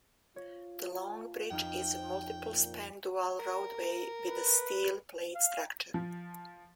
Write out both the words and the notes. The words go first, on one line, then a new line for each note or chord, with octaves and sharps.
The -long bridge is a multiple span dual roadway with a steel plate structure.
F4 C#5
F2 D#4 G5 F6
A#2
A#4
B4
F5
F3